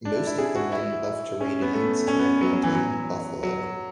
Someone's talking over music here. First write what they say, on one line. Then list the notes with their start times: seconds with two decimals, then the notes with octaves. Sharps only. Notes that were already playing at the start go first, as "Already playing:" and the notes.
Most of the men left to raid a Utes camp and to hunt buffalo.
0.05 D4
0.16 E4
0.27 E4
0.38 G#4
0.55 F#4
0.72 E4
1.41 C#4
1.62 B3
1.74 A3
2.08 C#4
2.19 B3
2.41 F#3
2.53 F#3
2.63 E3
2.74 F#3
3.43 F#3